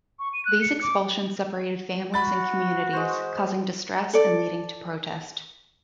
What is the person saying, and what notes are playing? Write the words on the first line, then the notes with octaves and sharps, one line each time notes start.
These expulsions separated families and communities, causing distress and leading to protest.
C#6
D#7
F#6
C#7
D6
F#4 B5 A6
G#3 C5
A4 D5